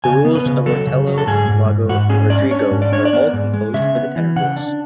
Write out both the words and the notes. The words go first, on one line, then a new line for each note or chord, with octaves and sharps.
The roles of Otello, Iago, and Rodrigo are all composed for the tenor voice.
C#3 G#5
B3
B4
C#3
F#3 A4
C#3
F#3
A4
G#2 G#4
G#2
G#2
G#2 F#4
C#4 G#4
C#4 D5
D4 C#5
G#2
D5
D4 C#5
D5
B3
G#2
G#3
C#3 E5
B3
E3
C#3 F#5
D4